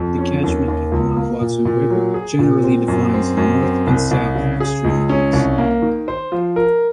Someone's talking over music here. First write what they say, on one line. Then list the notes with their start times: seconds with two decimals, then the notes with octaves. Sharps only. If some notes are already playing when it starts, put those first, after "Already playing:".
The catchment of the Manawatu River generally defines the north and south extremities.
Already playing: F2
0.18 C#4
0.43 D#2
0.68 D#2
0.92 C#2
1.17 A#3
1.41 A#2
1.65 A#2
1.90 F#3
2.14 G#4
2.39 A#2
2.64 C4
2.88 F#2
3.13 C4
3.37 F#2
3.62 C4
3.87 C2
4.11 C2
4.36 C#3
4.60 G#4
4.84 C#2
5.09 C#4
5.33 C2
5.58 A#3
5.82 D#3
6.08 C5
6.32 F3
6.56 A#4